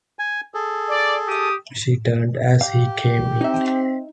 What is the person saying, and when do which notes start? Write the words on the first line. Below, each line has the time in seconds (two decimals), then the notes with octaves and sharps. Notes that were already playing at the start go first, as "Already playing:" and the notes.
She turned as he came in.
0.19 G#5
0.54 G#4 A4
0.89 D5
1.27 G4 D#6
2.61 G4 F5
3.41 C4 D#4 E5